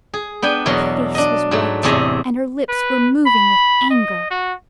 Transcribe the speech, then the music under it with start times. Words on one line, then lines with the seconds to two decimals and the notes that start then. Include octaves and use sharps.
Her face was white and her lips were moving with anger.
0.14 G#4
0.42 B3 D4 G5 G#5
0.66 E2 B2 F#3 A#4 C6
1.15 D4 D#5
1.51 G#2 F#3 A3
1.83 E2 A2 C3 G#4 D#5
2.69 B4
3.26 B5
3.90 D#5
4.31 F#4